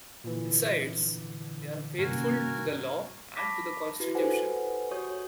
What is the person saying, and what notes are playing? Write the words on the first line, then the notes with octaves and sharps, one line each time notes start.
Besides, they are faithful to the law and to the constitution.
A#2 D3 E3
G2 C3 D#3 A#3 C#4 F#4 A#4 G#5
A5 B5 C#6 D6 A#6 B6
E4 F#4 B4
G4 A4 B4 C5 F#5 G#5
F#4 C#5 C#6 D#6 G6